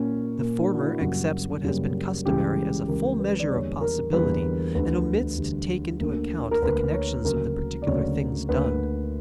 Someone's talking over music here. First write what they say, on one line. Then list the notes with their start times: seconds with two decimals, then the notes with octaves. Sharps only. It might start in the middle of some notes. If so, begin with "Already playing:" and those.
The former accepts what has been customary as a full measure of possibility and omits to take into account the connections of the particular things done.
Already playing: A#2 A#3 C#4
0.39 A#2 A#3
0.60 D4
0.74 F#4
0.80 E4
1.01 F#2 C#3 G3 A#3 F#4
1.63 F#2 C#3 G3 A#3
2.26 C#2 C#3 E3 G3 G4
2.88 C#2 C#3 E3 G3 A#4
3.19 B4
3.39 D5
3.50 E2 D3 G3 A#3 C#5
3.81 A#4
4.13 E2 D3 G3 A#3 B4
4.75 D2 D3 G3 B4
5.37 D2 D3 G3
5.99 D2 D3 A#3
6.51 A#4
6.62 D2 D3 A#3 B4
6.93 C#5
7.24 D2 C#3 F#3 A#3 A#4
7.82 D5
7.86 D2 C#3 F#3 A#3 C#5
8.49 D2 D3 A#3 B4